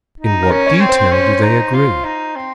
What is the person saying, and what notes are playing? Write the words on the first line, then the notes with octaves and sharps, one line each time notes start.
In what details do they agree?
D#4
A#4
C#4
C#5
C4
C5
C#4
D#4
F4
D#4
C4